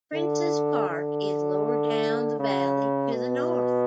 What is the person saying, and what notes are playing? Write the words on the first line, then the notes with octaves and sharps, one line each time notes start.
Princes Park is lower down the valley to the north.
D3
D3
C#3
B2